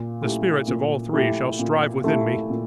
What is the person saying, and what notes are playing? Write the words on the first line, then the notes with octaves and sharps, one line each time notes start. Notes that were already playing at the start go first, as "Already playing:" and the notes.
'The Spirits of all Three shall strive within me.
Already playing: A#2
A3 E4 G4
A#2
A3 E4 G4
A#2
A3 E4 G4
A#2